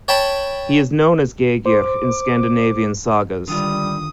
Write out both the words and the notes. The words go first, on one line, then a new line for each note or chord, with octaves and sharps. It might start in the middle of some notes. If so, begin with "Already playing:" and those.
He is known as Gyrgir in Scandinavian sagas.
C#5 G5 A5 B5
C5 D6
D3 D#3 G3 F4 D#6